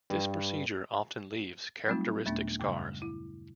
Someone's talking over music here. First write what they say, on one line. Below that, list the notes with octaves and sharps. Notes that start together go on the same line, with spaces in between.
This procedure often leaves characteristic scars.
G2
F#3 G3 A3 C4 D#4 F4
D#2 A#2 A3 B3 D4
F#2 C#3 G3
E4